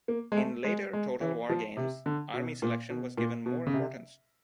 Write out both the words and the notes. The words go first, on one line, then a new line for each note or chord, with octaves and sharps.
In later "Total War" games, army selection was given more importance.
A#3
G#3
A3
G#3
G#3
E3
F3
C3
D3
B2
A#2
B2
A#2
B2
C#3
C3